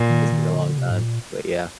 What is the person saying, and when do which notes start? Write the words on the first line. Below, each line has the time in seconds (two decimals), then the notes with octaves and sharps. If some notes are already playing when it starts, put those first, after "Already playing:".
it's been a long time, but yeah.
Already playing: A#2
0.10 D#3
0.32 D#3
0.56 D3
0.78 C3
0.91 G#2
1.01 A#2